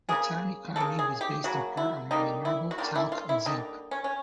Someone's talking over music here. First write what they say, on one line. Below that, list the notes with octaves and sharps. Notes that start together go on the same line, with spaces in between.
The town economy was based in part on mining marble, talc, and zinc.
C#3 F#3 A#3 G#4
C#3 F#3 A#3 A4
G#4
G4
C#3 F#3 A#3 F#4
E4
D3 G3 A#3 D#4
E4
F#4
D3 G3 A#3 F4
E4
F4
E4
D3 G3 A#3 D#4
C#4
C#4